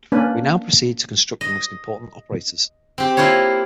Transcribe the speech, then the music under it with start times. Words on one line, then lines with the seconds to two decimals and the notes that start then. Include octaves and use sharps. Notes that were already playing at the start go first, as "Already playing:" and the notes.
We now proceed to construct the most important operators.
0.12 A#3 C#4 D4 B4
1.41 D#5
2.98 C4 G4
3.17 A#3 E4 F4 C5 C#5